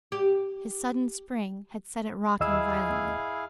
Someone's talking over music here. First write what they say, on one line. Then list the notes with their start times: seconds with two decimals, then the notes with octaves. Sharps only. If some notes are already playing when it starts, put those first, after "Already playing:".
His sudden spring had set it rocking violently.
0.12 G4
2.40 D#2 E4 G#4 D#5 F5 E6